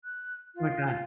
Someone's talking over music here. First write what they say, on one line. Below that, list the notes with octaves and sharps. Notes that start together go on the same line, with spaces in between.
Oh my god.
F#6
F4